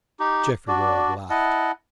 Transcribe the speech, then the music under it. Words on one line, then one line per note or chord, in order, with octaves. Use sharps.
Geoffrey Ward laughed.
D#4 G4
D4 F#4 D5
E4 D#5 F#5 A5